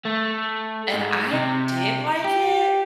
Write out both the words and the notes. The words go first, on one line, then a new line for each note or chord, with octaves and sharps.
And I did like it,
A3
G#2
C3
G4